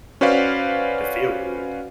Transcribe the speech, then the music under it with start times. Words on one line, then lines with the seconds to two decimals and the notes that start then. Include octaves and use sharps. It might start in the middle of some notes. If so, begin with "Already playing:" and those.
to feel good.
0.21 C#4 F#4 B4 C5 D5 F5